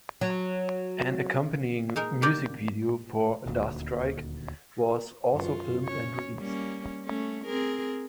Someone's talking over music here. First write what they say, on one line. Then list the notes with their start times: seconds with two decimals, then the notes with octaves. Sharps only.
An accompanying music video for "Da Strike" was also filmed and released.
0.21 F#3
1.96 G#3 D#4 A#4
2.22 A#3 F4 G4 D5 G5
3.46 D#1 D2 A#3
5.32 F#2 F4
5.84 C#4 C#5
6.38 G3 A#3 C#4
7.04 A3 C#4
7.46 C4 G#4 A#4